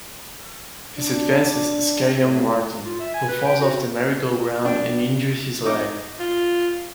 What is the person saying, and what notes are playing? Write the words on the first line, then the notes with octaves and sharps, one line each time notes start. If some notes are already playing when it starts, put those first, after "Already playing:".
His advances scare young Martin, who falls off the merry-go-round and injures his leg.
D4
A2
F4
E5
G#5
B4
G5
F#4
D4 G5
D#4 D6
F4